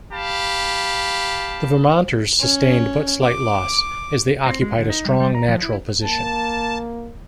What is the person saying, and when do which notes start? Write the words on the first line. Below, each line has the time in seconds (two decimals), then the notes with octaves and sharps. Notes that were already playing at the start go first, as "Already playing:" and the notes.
The Vermonters sustained but slight loss, as they occupied a strong, natural position.
0.13 G4 F5 A5 B5
2.40 C#4
3.22 D6
4.46 C4
4.62 G#3
4.78 D3
4.90 D#4
5.05 G3
5.20 G3
5.35 A#5
5.48 F3
5.63 E4
6.02 A#3 A5